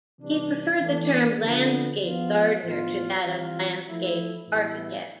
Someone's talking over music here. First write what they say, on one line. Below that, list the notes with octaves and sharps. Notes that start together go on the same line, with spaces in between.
He preferred the term 'landscape gardener' to that of 'landscape architect'.
C3 E3 G3 D4
E3 A3 D4
D3 F3 B3
F3 B3 F4
A2 F3 B3 F4
E3 G3 C4 F4
F3 A3 E4
A2 E3 G3 B3 E4